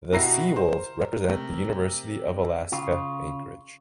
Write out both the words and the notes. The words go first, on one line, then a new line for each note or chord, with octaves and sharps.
The Seawolves represent the University of Alaska Anchorage.
B2 E4 F#4 G4 E5 A#5 C7
A#4 C5
C3 A3
C#3 F4